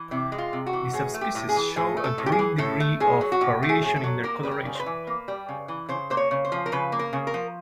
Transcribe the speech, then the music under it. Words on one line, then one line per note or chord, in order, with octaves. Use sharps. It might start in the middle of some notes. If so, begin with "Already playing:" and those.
The subspecies show a great degree of variation in their colouration.
Already playing: E3
C3 E4
G#3
F4
C3
F#4
E3
A2 G#4
A3
G4
A2
G#4
E3
A2 G#4
A3
A4
A2
G4
G#4
E3
A2 A4
A3
A2 G#4
F#3
F#4
A2 G4
A3
G#4
A2 G#4
A4
F#3
A#3 A#4
G3 B4
A#4
C#3
C5
B4
E3
A#3
G3
C#3
E3
C#3 C5
A#3 C5
C#5
C#3
C5
F3
A#4
C#3 B4
A#3
A#4
C#3
A#4
F3